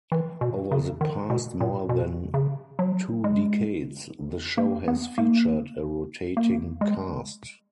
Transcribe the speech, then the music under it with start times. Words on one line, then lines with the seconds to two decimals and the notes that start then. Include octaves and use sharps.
Over the past more than two decades, this show has featured a rotating cast.
0.12 E3
0.41 B2
0.71 C#3
1.01 D#3
1.30 B2
1.60 A#2
1.89 B2
2.34 C#3
2.79 F#3
3.24 G#3
4.58 A#3
4.88 B3
5.18 A#3
6.37 A#3
6.81 G#3